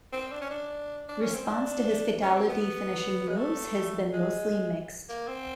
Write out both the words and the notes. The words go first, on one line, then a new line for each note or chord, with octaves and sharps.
Response to his Fatality finishing moves has been mostly mixed.
C4
D4
C#4
D4
D4
C#4
C4
D4
C#4
C4
B3
G#3
A3
G#3
A#3
C4